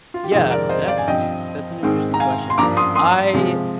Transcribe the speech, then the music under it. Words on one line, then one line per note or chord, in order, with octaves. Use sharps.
Yeah. That's that's an interesting question. I
F4
G4
F2 C3 D#3 G#3 C4 F4 G#4
A#4 D5
C5 D#5
D5 F5
G#5
G2 F3 C4 D#5 G5
G#2 D#3 G#3 C4
A#5
F5 G#5
C6
G2 F3 A#3 D4 A#5 D6
C6 D#6
C6 D#6
C3 F3 G#3